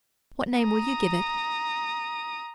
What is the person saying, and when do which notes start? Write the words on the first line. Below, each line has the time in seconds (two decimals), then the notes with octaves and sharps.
What name will you give it?'
0.58 A#5 D#6